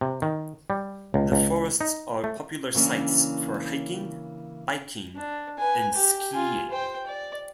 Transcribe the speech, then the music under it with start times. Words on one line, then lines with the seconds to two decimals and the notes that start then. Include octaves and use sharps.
The forests are popular sites for hiking, biking and skiing.
0.01 C3
0.22 D#3
0.70 G3
1.14 C#2
1.32 C#2
1.81 D#4
2.24 A3
2.74 C#3 E3 A#3 C#4 D4
5.16 D4
5.58 B4 G#5
5.93 G4
6.32 F4 G#5
6.70 C5 G5
7.06 D5